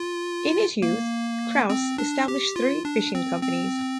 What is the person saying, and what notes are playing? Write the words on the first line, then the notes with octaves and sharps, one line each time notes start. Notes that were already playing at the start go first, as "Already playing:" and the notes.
In his youth, Crouse established three fishing companies.
Already playing: F4
A#3
C4
D4
G4
F4
D4
C4
C4